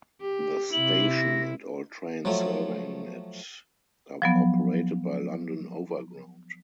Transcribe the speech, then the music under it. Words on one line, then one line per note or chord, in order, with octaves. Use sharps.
The station and all trains serving it are operated by London Overground.
G4
C3 E4 F#7
A#6
F3 F#3 A3
F3 F#3 B3